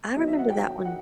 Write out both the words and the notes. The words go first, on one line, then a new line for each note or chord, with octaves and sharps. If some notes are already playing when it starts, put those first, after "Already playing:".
I remember that one.
D#3 F#3 B3 D#5
E5
F#5
G5
G5
F#5